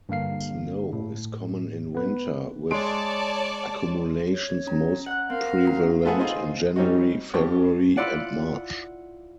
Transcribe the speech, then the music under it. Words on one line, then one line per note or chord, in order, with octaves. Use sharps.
Snow is common in winter, with accumulations most prevalent in January, February, and March.
G2 D3 A#3 F5 C7
A2
B3 B4
G#3 C#5 D5 A5 C6 D7
C#5
C#4 A#5
F#5 F#6
C4 A#4 F5
C#4 F#4 A#5
A3 B3 F4 G#4 E5 F#5
C4 D#4 F4 G#4
G3 C4 C#4 D#4 F#4
F2 C4 G4 C#6
E4 F4 D5 F#5